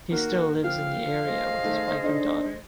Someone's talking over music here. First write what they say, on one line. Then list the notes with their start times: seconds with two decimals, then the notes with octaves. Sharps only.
He still lives in the area with his wife and daughter.
0.10 D#3 A#3 F#4 A#4
0.64 F3 F5 G5 F6
1.24 G#4 C5 D#5
1.63 D#3 A3
2.03 D4 D#4 A4